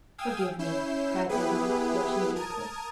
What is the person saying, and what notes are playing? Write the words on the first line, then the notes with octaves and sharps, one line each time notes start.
"Forgive me!" cried Edmond, blushing deeply.
F5 G5 G#5 D#6 E6
C#4 E4 G6 C7 E7
B3 E4 G4 G#4 B4
A#4 A5 D#6 G#6